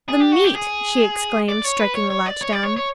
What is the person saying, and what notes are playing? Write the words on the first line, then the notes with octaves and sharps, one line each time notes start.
"The meat!" she exclaimed, striking the latch down.
G#4
G4
F#4
G4
G#4
D5
C#5
B4
C#5
C#5
D5
C#5
D5
C#5
C#5